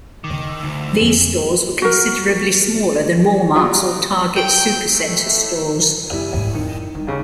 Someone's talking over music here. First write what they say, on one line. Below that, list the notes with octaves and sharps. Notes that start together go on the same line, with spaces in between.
These stores were considerably smaller than Walmart's or Target's supercenter stores.
D#3 D6
D2
G1 F2 G#4
F#4 A#4
F#3 G3 F4
G5
A2 A3
F#1 G3 E4
G#1 D#2
F2 D#3
D#3 G3 D4
D#2 C#3